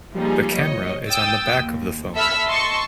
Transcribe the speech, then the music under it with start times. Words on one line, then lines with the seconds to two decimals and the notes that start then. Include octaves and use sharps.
The camera is on the back of the phone.
0.14 F3 G3 A#3 D#4 G#4
0.55 C#5 D#5
1.07 G5 D#6 E6 A6
1.58 D#2
2.14 A4 E5 B5 E6 F6
2.47 D#5 A5 C6 C#6 E6